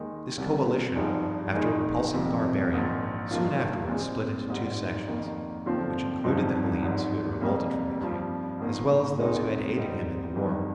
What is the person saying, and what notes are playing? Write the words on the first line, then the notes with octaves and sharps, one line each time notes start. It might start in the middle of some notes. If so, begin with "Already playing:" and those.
This coalition, after repulsing the barbarian, soon afterwards split into two sections, which included the Hellenes who had revolted from the King, as well as those who had aided him in the war.
Already playing: D#2 D#3 G#3
C2 C3 G3
G#1 G2 F3 G#3 D#4
F2 D#3 G#3 D#4
F2 C3 F3
A#1 G#2 D#3
G2 D#3 A#3 D4 F4
A#2 G#3 C4
G#1 G#2 G3
F2 D#3 A#3
D#2 D3 F3 C4 F4
G1 G2 F3 C4 D#4
G#1 G#2 G3
F2 C3 G3 A#3
G2 F3 C4
G#2 D#3 A#3
D2 C3 D#3 G#3 D#4
G#2 G3 C4 D#4
G1 F2 D#3 G3